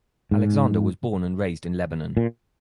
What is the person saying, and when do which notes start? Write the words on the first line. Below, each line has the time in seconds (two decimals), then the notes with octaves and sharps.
Alexander was born and raised in Lebanon.
0.31 G#2
2.17 A#2